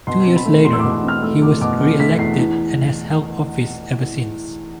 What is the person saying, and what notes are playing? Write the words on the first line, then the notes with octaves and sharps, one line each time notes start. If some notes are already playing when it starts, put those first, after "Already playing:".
Two years later, he was reelected and has held office ever since.
B2 C6
C4
B5
A3
E2 C6
E6
B2 D6
C4
F6
A3 E6
E2 D6
B2 D6
C4 D6
A3 B6
E2 C7
E3